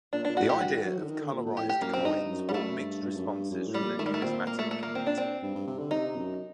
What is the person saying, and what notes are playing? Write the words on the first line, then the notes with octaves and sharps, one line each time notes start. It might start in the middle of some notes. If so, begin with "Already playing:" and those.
The idea of colorized coins brought mixed responses from the numismatic community.
A#2 D4
A#2 D4
F#4
A2 G4
G2 F#4
D#3
F#3
D#3
D3
D#3
D3
A#2
A#2
A2 G4
G4
F#2 A#3
F#2 C4
G2 D#4
F#2
G3
F#2 A3
G2
G2
F#2
G2
F#2
A2
G3
A#2
D#3 A3
G3
A3
A#2 C4
A#3
A3
A3
A#3
C4
D4
C4
G2
G2
C3
D3
C3 D#4
F#2